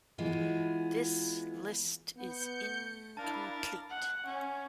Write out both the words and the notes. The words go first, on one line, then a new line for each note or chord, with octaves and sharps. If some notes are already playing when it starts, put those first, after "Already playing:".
This list is incomplete.
E3 G#3 B3 F4
B3 G6 C#7
D4 E4 A#4 F5 A5 A6
F#5
C#4